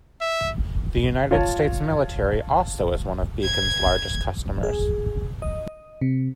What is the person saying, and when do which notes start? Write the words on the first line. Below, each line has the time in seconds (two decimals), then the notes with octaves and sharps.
The United States Military also is one of Bekins' largest customers.
0.21 E5
1.31 F4 C#5 A5
3.42 G#6
4.63 G#4
5.42 D#5
6.01 C3